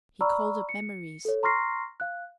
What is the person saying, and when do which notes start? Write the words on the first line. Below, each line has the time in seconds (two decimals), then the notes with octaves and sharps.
He called up memories.
0.21 D5 A#5 B5 C#6 E6 F6
0.69 C#7
1.25 A4 C#5
1.43 A#5 C6 C#6 F6 A#6 C7
2.00 F5 F#6